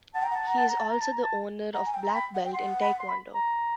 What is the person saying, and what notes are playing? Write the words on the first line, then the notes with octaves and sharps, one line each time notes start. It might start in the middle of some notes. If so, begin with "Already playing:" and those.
He is also the owner of black belt in taekwondo.
F#5 A5
G5 A#5
F#5 A5
A#5
A5
A#5
A5
A#5
A5
A#5
A5
F#5 A#5
G#5
G5
A#5
G5 B5
F#5
G5
F#5 C6
B5
C6
B5
A#5